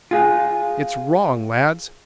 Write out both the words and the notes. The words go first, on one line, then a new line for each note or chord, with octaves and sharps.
"It's wrong, lads!"
F4 G#4